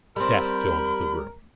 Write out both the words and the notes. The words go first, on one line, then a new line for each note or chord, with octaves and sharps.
Death filled the room.
G3 C4 A#4 B5